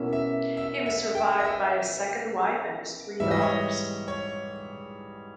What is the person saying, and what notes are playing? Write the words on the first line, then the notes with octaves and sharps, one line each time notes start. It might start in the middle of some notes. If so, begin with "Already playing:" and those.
He was survived by his second wife, and his three daughters.
Already playing: B2 A#3 C#4 E4 E5
E5
E5
E5
G5
D#5
E5
G#2 E3 G3 E5
D#5
C#5
D#5
C#5